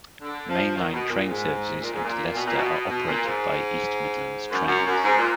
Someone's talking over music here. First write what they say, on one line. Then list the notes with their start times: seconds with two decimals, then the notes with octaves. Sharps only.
Main line train services into Leicester are operated by East Midlands Trains.
0.22 D3
0.48 F3
0.75 D#3
0.93 B2
1.10 A#2
1.28 G#2
1.81 A#2
1.92 G#2
2.03 A#2
2.36 B2
2.46 A#2
2.57 B2
2.90 B2
3.07 A#2
3.24 G#2
4.50 F#2
4.67 F#2
4.86 F#2
5.04 G#2
5.17 A#2